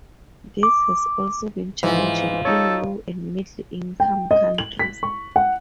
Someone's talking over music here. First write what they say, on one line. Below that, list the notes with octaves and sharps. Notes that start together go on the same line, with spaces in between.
This has also been challenging in low and middle income countries.
D6
G#2 E3 F3
D#4 A4 C#5
G5
D#5
F#7
B6
C#6
F#5